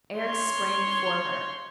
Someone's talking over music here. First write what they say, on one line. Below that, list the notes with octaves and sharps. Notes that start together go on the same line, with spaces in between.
Eric sprang for her.
C#5 C6